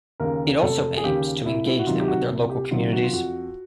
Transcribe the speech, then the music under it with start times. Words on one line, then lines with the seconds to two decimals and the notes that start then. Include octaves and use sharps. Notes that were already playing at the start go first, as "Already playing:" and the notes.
It also aims to engage them with their local communities.
0.20 D#2 C#3 A#4
0.62 F1 A4
0.97 G#4
1.03 D#2 C#3 G4
1.45 C2 E4
1.67 E4
1.79 F#4
1.87 C3 D#3 F#3 F4
1.99 G4
2.08 F#4
2.30 C2
2.50 G4
2.71 C3 D#3 F#3 F4
2.92 F#4
3.04 F4
3.13 F2 F#4